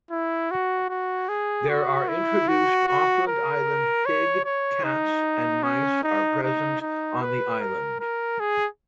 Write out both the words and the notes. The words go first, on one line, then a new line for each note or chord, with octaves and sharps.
There are introduced Auckland Island pig, cats and mice are present on the island.
E4
F#4
F#4
G#4
F#4
E4
F#4
F#4
A#4
C#5
C#5
D#4
C#4
D#4
D#4
D#4
B4
A#4
A#4
G#4